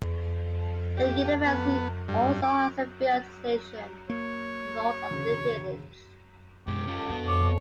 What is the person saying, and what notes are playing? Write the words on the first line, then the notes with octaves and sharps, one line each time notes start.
The University also has a field station north of the village.
G4
B3
G2
D6
A#3 C#5
E1 D2 C#3
F#2 B2 G#3 G4
C#4 F4
B3 D4 F#4
C#5 D6
F2